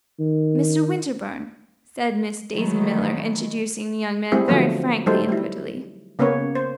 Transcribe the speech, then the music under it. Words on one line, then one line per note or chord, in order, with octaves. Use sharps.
"Mr. Winterbourne," said Miss Daisy Miller, introducing the young man very frankly and prettily.
D#3
D#3 E3 F#3 G#3 A3
G3 C4 E4 G#4
D3 F3 F#3 A3 B3
F#3 G3 A3 D#4 A4 C5
G3 E4
C#3 A#3 B3 C#4 B4 C#5
C5